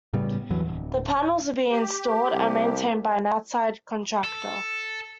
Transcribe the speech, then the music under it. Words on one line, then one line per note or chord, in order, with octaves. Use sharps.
The panels would be installed and maintained by an outside contractor.
A2 C#3 G3 B3
E2 G2 E3 F#3
D1
G4
C2
A4